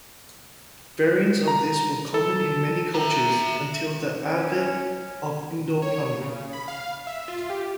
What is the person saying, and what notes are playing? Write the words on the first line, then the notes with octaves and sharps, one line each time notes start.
Variants of this were common in many cultures until the advent of indoor plumbing.
A#5
A4
E5 A#5
C#4
C#5
C#3
B5
F5
E5
F4
G4